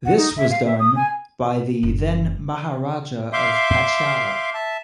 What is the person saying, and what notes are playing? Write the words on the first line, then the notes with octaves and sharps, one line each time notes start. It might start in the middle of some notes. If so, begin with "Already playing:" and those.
This was done by the then Maharaja of Patiala.
F#5
D#4
E5
F5
E5
D#6
G#5
F#1
E5 F5 C6 D6 G6
E5 A5